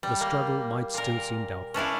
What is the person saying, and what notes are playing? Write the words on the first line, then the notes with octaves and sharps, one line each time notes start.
The struggle might still seem doubtful.
G3
A#3
A#2 A#4
C#4 D4 E4 F5